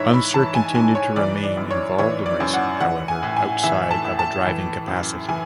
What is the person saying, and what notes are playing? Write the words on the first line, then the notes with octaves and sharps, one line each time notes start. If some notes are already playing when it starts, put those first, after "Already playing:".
Unser continued to remain involved in racing, however, outside of a driving capacity.
Already playing: G#2 E3 C#5 E5
B5
E3 A5
G#5
G#2 G#5
C#5
E3 D5
D5
F#2
C#5
E3 C#5
D5
F#2
F#5
E3 F#5
G#5
A2
G#5
E3 E5
A5
A2
A5
E3
F#2
E3 G#5